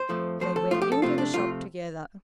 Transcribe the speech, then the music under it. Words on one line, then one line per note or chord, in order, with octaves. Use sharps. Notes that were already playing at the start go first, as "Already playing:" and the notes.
They went into the shop together.
Already playing: C5
F2 F3 A3
F2 F3 A3 C5
A4
F2 F3 A3 F4
G4
A4
F2 C3 A3 C4 F4
D4
F2 C3 A3 C4 F4